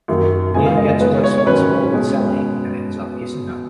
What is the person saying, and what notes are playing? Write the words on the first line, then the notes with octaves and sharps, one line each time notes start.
Leo gets close once more with Sally, and ends up kissing her.
F#2 D#3 A#3 D#4
F#2 C#3 F3 G#3 B3 G#5
F5
D#5
D#5
D#3 G#3 B3 B4
C#5
C#5
G#2 D#3 F#3 C#4 B4
B2 G#3 C#4